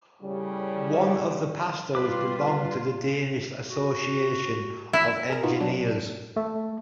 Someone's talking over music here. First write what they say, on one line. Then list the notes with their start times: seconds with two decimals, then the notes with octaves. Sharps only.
One of the pastels belong to the Danish Association of Engineers.
0.21 A2 C#3 G3
1.95 G3 F4 B4 D6
3.68 F#4
4.93 E4 E5 E6
5.30 G#4 A#4
5.43 B3 D#4 F4 F#4
5.61 F#3 D4
6.36 A3